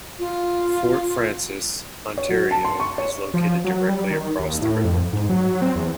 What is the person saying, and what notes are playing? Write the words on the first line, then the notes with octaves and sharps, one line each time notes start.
Fort Frances, Ontario is located directly across the river.
F4
C#5
F#3
A5
C6
C#6
C#5
F3
F#3
G3
D#3
D#2
A2
F2
G#2
F#3
C4
E2